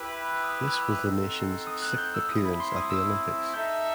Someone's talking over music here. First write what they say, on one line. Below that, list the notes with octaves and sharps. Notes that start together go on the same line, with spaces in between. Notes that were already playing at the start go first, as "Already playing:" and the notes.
This was the nation's sixth appearance at the Olympics.
Already playing: E4 G4 B4 E5 G5
B5
D#6
F#6
E6
C4 D#4 A4 C5 F#5
D#6
F#6
G6
E6
A3 C4 E4 D#6
B5
C6
D#6
E6
D#4 A4 E5 G6